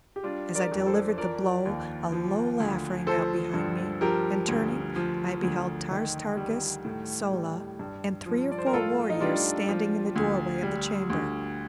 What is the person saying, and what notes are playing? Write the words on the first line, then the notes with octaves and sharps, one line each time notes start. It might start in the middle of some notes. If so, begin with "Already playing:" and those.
As I delivered the blow a low laugh rang out behind me, and, turning, I beheld Tars Tarkas, Sola, and three or four warriors standing in the doorway of the chamber.
G4
G3 D4 F4
A#4 D5
F2
A4 C5
F3 A#4 D5
D#2
F3
D2
F3 A4 C5
G2
F3 G4 A#4
D2
F3
D2
D#3
G3
A2
G3
G2
F3
D5
C5
A#4
A2 F4 A4
D#4
G3 D4 F4
F3
D2
G3
D2